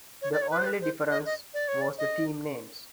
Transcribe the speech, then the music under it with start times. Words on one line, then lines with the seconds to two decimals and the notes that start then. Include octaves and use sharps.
The only difference was the team names.
0.22 C#5
0.32 D5
0.42 C#5
0.51 B4
0.59 C5
0.66 B4
0.81 C5
1.11 D#5
1.26 D#5
1.54 D5
1.68 C#5
1.82 D5
1.98 D#5